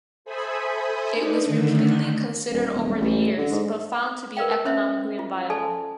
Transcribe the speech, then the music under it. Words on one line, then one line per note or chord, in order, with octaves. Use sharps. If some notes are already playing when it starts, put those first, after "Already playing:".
It was repeatedly considered over the years but found to be economically unviable.
A4 C5 E5 G#5 B5 D#6
D4 D#4 B4
D3 D#3 A3
D#1
E1
D#1
A1
D3
G#2
A#4 B4 D5 F5 G5
C#4 C5 C#5 E5
F4
A4 D5 G#5 A5